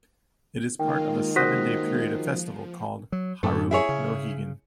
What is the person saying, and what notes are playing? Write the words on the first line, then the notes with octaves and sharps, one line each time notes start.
It is part of a seven-day period of festival called Haru no Higan.
D#3 G#3 A#3 F4 G5
F#4 C5 D#6 F#6 A#6 B6
F3
F#3
F#2 A2 A3
E4 G#4 C#5
C#3